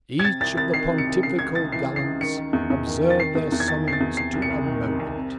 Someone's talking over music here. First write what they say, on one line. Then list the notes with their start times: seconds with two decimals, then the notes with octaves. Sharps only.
Each of the pontifical Gallants observ'd their Summons to a Moment.
0.19 G#6
0.24 C3 A6
0.41 C2 A6
0.57 C2 A6
0.73 D#3 C7
0.90 C3
0.98 C#7
1.07 C2
1.23 C#3 C7
1.39 C#2 G#6
1.55 C#2 A6
1.72 E3 C7
1.88 C#3
1.96 C7
2.04 C#2
2.21 D#3 C#7
2.37 D#3
2.53 E2
2.70 E2
2.86 D#3
3.03 D#3
3.10 A6
3.18 C3 C7
3.35 E2
3.52 E2
3.60 G#6
3.68 D#3 A6
3.85 C3 C7
3.93 A6
4.01 E2
4.17 C3 C7
4.34 C2
4.42 C#7
4.50 C2
4.66 D#3
4.83 C3
5.00 C2
5.15 C3